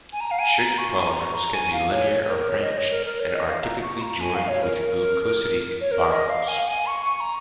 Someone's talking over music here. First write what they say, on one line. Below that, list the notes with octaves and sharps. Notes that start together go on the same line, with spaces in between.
Sugar polymers can be linear or branched and are typically joined with glycosidic bonds.
G#5
A#5
F5
G#5
A#5
C#6
C#6
G#5
A#5
C#6
A#5
G#5
F5
C#5
C#5
C#5
A#4
C#5
D#5
C#5
A#4
A#4
C#5
D#5
F5
A#5
C#6
A#5
G#5
F5
C#5
A#4
C#5
A#4
D#5
F5
G#5
F5
G#5
C#6
C#6
A#5